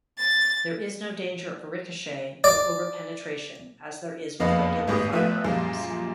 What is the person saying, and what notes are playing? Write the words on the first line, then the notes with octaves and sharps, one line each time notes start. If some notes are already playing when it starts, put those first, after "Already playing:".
There is no danger of ricochet or over-penetration as there is with regular firearms.
A6
D5
F#1 F2 B3 D#5 F5 B5
G#1 A2 G#3 B3 G4 D#6
F3 A3 B3 B4 E5 D#7
F#2 A#2 F3 G3 G#3